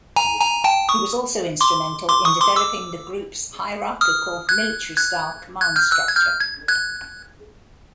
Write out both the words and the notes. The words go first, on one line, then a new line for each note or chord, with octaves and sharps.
He was also instrumental in developing the group's hierarchical military-style command structure.
G#5 A#5
G#5 A#5
G5 A5
C#6 D#6
C6 D6
C6 D6
C#6 D#6
C6 D6
D6 E6
D#6 F6
F#6 G#6
F#6 G#6
F#6 G#6
F6 G6
E6 F#6
G#6
F6 G6
G#6
F#6 G#6